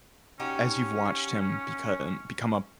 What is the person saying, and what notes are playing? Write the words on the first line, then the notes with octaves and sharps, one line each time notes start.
as you've watched him become become a
C#4 D#4 F#4 G4